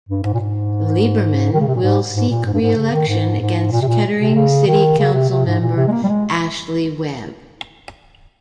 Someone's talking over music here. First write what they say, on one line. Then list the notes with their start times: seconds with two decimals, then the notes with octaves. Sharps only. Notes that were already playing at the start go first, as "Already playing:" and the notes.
Lieberman will seek re-election against Kettering City Council member Ashley Webb.
0.09 G2
0.23 G#2
0.34 A#2
0.40 G#2
1.53 D#3
1.60 C#3
1.67 C3
1.75 A#2
1.82 G#2
2.14 G#2
2.30 A#2
2.45 G#2
2.53 G2
2.61 G#2
2.76 C#3
2.92 D#3
3.08 G#2
3.40 G#2
3.71 A#2
3.82 C3
3.87 A#2
4.19 C3
4.35 C#3
4.66 D#3
4.98 C#3
5.13 C3
5.29 C3
5.45 G#2
5.60 A#2
5.76 C3
5.87 G#3
5.92 A#3
6.03 G3
6.08 G#3